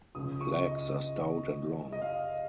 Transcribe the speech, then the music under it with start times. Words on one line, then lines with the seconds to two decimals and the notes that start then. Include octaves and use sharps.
Legs are stout and long.
0.15 C#2 C#3 F3 D#6
0.41 C#6
0.66 D#5
1.93 D#5
2.01 F5